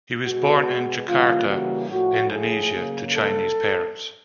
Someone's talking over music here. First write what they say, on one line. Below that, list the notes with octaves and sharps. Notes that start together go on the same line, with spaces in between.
He was born in Jakarta, Indonesia, to Chinese parents.
B2 G#3 B3 F#4
C#3 E3 G3 A#3 F4
F#4
A2 F3 A3 F#4
G#4
C#3 F#3 A#3
A4